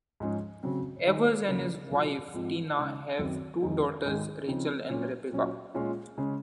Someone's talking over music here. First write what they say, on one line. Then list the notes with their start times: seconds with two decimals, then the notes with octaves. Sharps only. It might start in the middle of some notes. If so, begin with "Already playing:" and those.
Evers and his wife Tina have two daughters, Rachel and Rebecca.
0.20 G#2 F3 G#3 C#4
0.63 C#3 F#3 C4
1.06 D#3 G#3 D#4
1.48 C#3 F3 A#3 F4
1.90 C3 F#3 C4 F4
2.34 G#2 F3 C4 F4
2.76 C#3 G#3 D#4
3.19 F#2 D#3 F#3 C4 D#4
3.62 F2 D#3 G#3 D#4
4.05 G#2 D#3 G#3
4.47 C#3 F3 C4 D#4
4.90 A#2 F#3 C#4 F4
5.32 A#2 F#3 C#4
5.74 A#2 G#3 C#4 F4
6.18 C#3 G#3 C#4